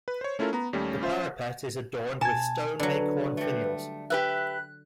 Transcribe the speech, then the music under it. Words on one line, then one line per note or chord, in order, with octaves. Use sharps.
The parapet is adorned with stone acorn finials.
B4
C5 C#5
A3 C#4 E4 F4 A4 A#4
B3 A#5
D#2 G3 A3 C#4
C#4 F4 C5 E5
B2 G#5 A5 G#6
D3 F#3 B4
G3 A3
G4 B4 E5 F#6